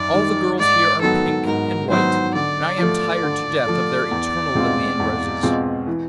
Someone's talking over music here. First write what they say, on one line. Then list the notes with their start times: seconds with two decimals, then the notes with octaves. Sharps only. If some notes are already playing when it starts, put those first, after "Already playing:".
All the girls here are pink and white, and I am tired to death of their eternal lilie and roses.
Already playing: F#2 D#3 D5
0.14 D#3 G3
0.58 G#2 D5
1.02 D#3 F#3 B3 A4
1.47 G#2 A#4
1.90 D#3 F#3 B3 C5
2.35 D3 D5
2.78 F3 A3
3.23 D3
3.66 F3 A3
4.11 E2
4.55 B2 G#3 C4 F4
5.00 E2
5.43 B2 G#3 C4 F4
5.87 E3